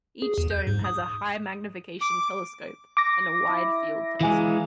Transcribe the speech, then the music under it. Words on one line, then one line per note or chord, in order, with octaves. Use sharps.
Each dome has a high-magnification telescope and a wide-field telescope.
G#4
E2
G6
G#2
D#6
D6
D6 A#6
E4
E3 G#3 F5 G#5 A#5